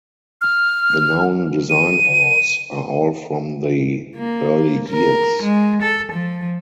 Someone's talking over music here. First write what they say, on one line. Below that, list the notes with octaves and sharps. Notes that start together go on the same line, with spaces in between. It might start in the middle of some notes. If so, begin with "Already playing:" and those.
The known design errors are all from the early years.
F6
D#7
A#3
A#4
G#3
A4
F3